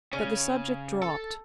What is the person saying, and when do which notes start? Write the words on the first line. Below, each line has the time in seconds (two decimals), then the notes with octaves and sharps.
But the subject dropped.
0.13 C#3 C#4
1.02 A4